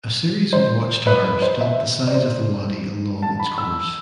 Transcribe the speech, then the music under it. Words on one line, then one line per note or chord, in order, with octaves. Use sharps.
A series of watchtowers dot the sides of the wadi along its course.
C5
B4
B4
C5
E5
D5
C5
A5
B5
E6